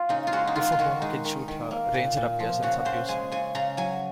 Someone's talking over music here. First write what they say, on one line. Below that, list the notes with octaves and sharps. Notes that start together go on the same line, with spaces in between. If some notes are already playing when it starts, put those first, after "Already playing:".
Before Homer can shoot her, Ranger appears and subdues him.
Already playing: F4
C#3 D#4
F4
G#3 F#4
D#4
D#3 F4
F4
D#3 F#4
G#3 D#4
D#3
D#3
A#3
A#2
A#2
F3
C#3 F#4
C#3 C5
G#3 G#5
C#3 G#5
C#3 A#5
F#3 G#5